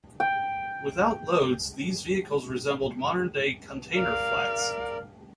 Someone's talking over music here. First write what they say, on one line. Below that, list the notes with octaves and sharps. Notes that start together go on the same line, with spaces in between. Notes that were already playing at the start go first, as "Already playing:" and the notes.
Without loads these vehicles resembled modern day "Container Flats".
G5
A#4 D5 F5